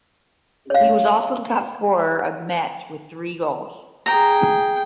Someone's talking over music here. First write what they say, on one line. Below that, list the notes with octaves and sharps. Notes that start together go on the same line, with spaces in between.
He was also the topscorer of the match with three goals.
C#5 F5
G#4 G5 A#5